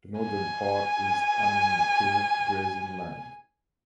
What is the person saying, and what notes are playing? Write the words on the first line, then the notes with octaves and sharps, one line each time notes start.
The northern part is unimproved grazing land.
G#5